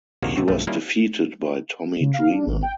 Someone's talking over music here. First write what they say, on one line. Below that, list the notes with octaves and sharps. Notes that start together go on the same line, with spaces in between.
He was defeated by Tommy Dreamer.
A#1 D#2 C3 D#3 A#3 F#4
D#2 C3 C4 F#4
B1 G2 F3 A3
D#3 G3 A#3 C#4 E4 F4
C#3
F5
D4
G#1
G5